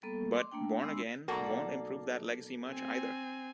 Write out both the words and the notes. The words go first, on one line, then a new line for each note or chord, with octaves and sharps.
But "Born Again" won't improve that legacy much, either.
G3 A#3 B3 A4
C6 D6
A3 A#3 D4 G5
G#3 B3 D4 C6 E6
B1 A#3 F#4 A4 D5 A#5
C4 G#5